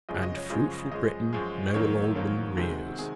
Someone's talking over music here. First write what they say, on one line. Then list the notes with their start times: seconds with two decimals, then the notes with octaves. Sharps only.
And fruitful Britain noble Alban rears.
0.09 F#2 C#3 F3 G#3 D#5
0.23 D#5
0.36 C#5
0.50 F#2 C#3 F3 G#3 D#5
0.92 F#2 F3 G#3 D#5
1.33 F#2 F3 G#3
1.74 F2 D#3 F#3 A#3 C#5
2.15 F2 D#3 F#3 A#3
2.57 C3 D#3 G#3 F#4 F#5
2.98 C3 D#3 G#4 G#5